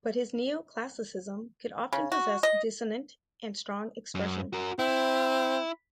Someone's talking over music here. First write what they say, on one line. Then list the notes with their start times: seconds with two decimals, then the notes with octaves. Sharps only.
But his neoclassicism could often possess dissonant and strong expression.
1.93 C#3
2.12 F#4
2.43 D#5
4.15 F#2
4.53 F#4 A#4
4.79 C4 E4